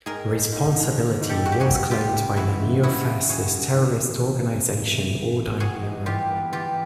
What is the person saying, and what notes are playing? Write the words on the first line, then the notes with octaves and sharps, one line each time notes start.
Responsibility was claimed by the neo-fascist terrorist organization Ordine Nero.
G#2 G#4 A#4
G#2
G#2
D#3
D#3
G#2
G4 A4
G3 F#4
G4
F#4 G#4
G3
C#2 F4 G4
C#3
E3 E4 F#4
C#3
C#3 E4 F#4
C#2
C#3 F#4 G#4
G3
D#3
E2
D#3
C3
E2
C3
E2
E2
E3 F#4 G#4
D#4
E3 F4 G4
B3
E3 F4 G4